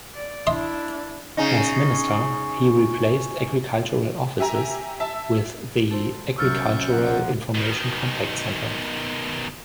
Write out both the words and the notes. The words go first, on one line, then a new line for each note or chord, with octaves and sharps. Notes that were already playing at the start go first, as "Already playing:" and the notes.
As Minister, he replaced agricultural offices with the Agricultural Information Contact Centre.
D5
D4 E4 D#5 E5 C6
C#3 C#4 D#4
G4 E5 G#5 A#5
E5 A5
A4 C5
C2 F#2 F#3 C#6 E6 F6 G6 A6
F3 A#3 F#5
B2 D#3